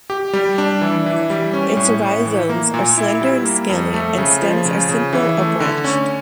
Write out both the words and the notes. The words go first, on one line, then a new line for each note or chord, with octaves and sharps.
Its rhizomes are slender and scaly, and stems are simple or branched.
G4
G3
D4
E3
E3
G3
C#4
A2
A2
E3
A#3
A#2
E4
G3
A#3
F2
A3
C#3
F3
C#3
C#3
E3
A3
D3
C#4